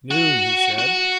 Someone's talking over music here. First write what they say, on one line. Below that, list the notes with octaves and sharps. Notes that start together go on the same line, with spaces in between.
"Noon," he said.
F#4
F#4